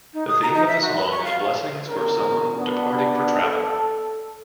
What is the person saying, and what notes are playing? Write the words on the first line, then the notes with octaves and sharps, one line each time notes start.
The theme of the song is blessings for someone departing for travel.
D#4
D#6
A#5
D#4
E5
F#4
B4
C#6
F5
E2 D3 C#4 A#4
B3 D4
A4